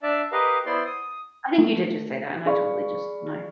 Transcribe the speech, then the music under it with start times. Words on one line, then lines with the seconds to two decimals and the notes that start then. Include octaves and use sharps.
I think you did just say that, and I totally just my
0.03 D4 D5 E5 A5
0.32 G4 A#4 B4 D#5 F5
0.66 B3 E4 C5 D5 C6
0.86 D#6
1.58 A3
2.46 G#4 D5 F5 B5 C#6